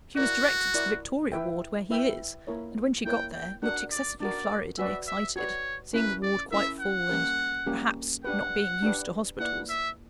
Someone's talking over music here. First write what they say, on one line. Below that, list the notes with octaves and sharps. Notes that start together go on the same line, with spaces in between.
She was directed to the Victoria Ward, where he is; and when she got there, looked excessively flurried and excited--seeing the Ward quite full, and, perhaps, not being used to hospitals.
E4 F#4 A#4 D5
E4 A#4 D5
E4 B4 E5 G5
E4 B4 E5 G5
A#3 E4 A#4 C#5
A#3 E4 A#4 C#5 G5
G5
D4 F#4 A#4 F#5
D5
D4 F#4 A#4 D5
F#4 B4 D5 E5
E5
F#4 B4 C#5 D5
C#4 E4 A#4 B4
D5
C#4 E4 A#4 E5
F#5
G3 A#3 C#4 G4 A#4
G3 A#3 C#4 G4 A#4
D4 G4 B4 F#5
D4 G4 B4
A#3 E4 B4 D5 F#5
E5